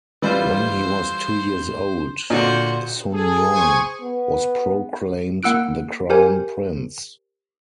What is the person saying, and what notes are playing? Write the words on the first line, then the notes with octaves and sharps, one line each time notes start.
When he was two years old, Sunjong was proclaimed the crown prince.
E3 G3 F4 C5
A#2 D3 F#4 C5
G#4 A4
C5 G#5 C#6
B3
A#3 F#5 E6 F#6 D7
G4 A#4 C5 G#5